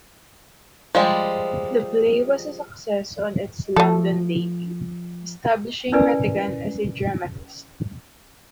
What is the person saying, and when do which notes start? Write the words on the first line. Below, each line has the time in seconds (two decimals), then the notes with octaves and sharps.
The play was a success on its London debut, establishing Rattigan as a dramatist.
0.95 F3 G3 G#3
3.76 F3 A3 A4
5.92 C#4 E4 A#4 B4 D5 G#5